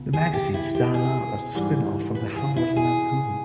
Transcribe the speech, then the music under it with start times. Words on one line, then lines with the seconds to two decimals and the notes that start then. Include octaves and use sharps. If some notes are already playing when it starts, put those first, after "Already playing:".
The magazine started out as a spinoff from the "Harvard Lampoon".
Already playing: C#2 B2
0.13 G#4
0.33 G4
0.54 E4
0.75 G4
0.94 G#4
1.55 G#2 E3 G3
2.15 B4
2.36 G#4
2.56 E4
2.76 G#4